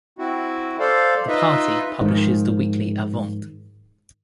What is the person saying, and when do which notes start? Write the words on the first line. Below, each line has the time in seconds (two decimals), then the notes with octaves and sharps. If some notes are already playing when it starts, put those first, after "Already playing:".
The Party publishes the weekly Avante!
0.19 C4 E4 F#4
0.79 A4 C5 D5 F5
1.28 D#4 F4 B4 D#5 E5
2.01 G#2 D#3 F3